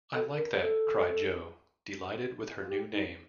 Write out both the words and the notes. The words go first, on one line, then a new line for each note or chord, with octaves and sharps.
"I like that," cried Jo, delighted with her new name.
A4
A#4
G4
A4
F4
G4
D#4